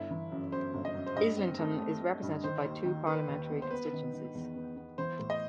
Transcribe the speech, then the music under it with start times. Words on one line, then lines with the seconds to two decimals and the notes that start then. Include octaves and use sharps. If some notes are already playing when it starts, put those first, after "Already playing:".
Islington is represented by two parliamentary constituencies.
Already playing: G1 E4
0.11 E3
0.31 F#2
0.52 F#2 C5
0.73 G1
0.85 D#5
0.94 F#2
1.06 C5
1.16 G2 D#5
1.37 C4
1.58 A3
1.80 A3
2.01 A3
2.22 G2
2.43 D#3 C5
2.65 D#2
2.85 D#3
3.07 D#3 B4
3.28 D#2
3.50 B3
3.62 C5
3.71 B3 B4
3.93 D#3
4.13 D#3
4.35 E2
4.56 B3
4.76 B3
4.98 E3 C5
5.19 A2
5.30 D#5